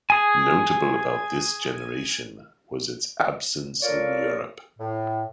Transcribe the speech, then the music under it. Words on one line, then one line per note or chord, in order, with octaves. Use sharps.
Notable about this generation was its absence in Europe.
G#4 G#5
A#3 F4 A4 A#4 C#5 D5
A2